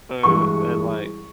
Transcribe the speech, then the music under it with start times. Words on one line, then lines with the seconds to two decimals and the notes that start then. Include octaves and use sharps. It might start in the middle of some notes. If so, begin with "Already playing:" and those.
uh, and, like
0.23 G2 E3 G#3 C#6